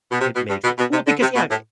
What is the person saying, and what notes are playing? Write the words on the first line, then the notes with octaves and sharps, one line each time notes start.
it makes it well, because, yeah it
B2
C3
B2
G2
B2
B2
C3
D3
C3
B2
A2